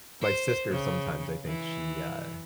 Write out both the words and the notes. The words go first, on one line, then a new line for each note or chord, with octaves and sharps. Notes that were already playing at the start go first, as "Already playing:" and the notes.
my sister, sometimes, I think she, uh,
C5
C#3
E3